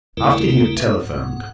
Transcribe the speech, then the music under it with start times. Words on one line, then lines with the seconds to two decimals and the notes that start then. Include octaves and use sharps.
After he had telephoned.
0.17 D#2 C#3 G3 A3 E4 A#4
0.77 B4 E5
1.03 G#2 F#5